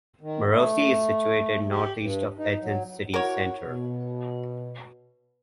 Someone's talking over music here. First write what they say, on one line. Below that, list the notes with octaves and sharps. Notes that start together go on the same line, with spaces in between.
Marousi is situated northeast of Athens city centre.
D#3
A3
G4
G2
D#4
F#3
E4 F#4 A#4 C#5 F#5
B2